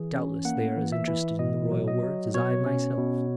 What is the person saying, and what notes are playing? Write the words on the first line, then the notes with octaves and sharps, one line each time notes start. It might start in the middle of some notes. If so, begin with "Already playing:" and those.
"Doubtless they are as interested in the Royal words as I myself."
Already playing: E3 G#4
C#4
A#3 F#5
E3
E5
E3
B2 D#5
F#3
D#5
F#3
B2 C#5
C#4
B2